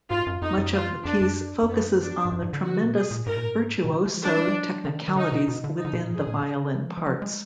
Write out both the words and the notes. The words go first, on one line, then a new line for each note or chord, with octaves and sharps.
Much of the piece focuses on the tremendous virtuoso-technicalities within the violin parts.
G#2 F4
F#2
F2 D#4
F#2
F4
F2 D4
F#2
F2
F#2 B3
D4
G#2
F#2
G#2
D3
F#4
A#2
B2 G#4
A#2
G#2 A#4
A#2
G#2
B2
D3
F3
D4
F#3
G#3
G#3
F#3
D#3
D#3
D3 D#4
B2
B2
D3
D#4
D3
B2
A#2
G#2 G#4
A#2
D3
F3
F3
F#3
G#3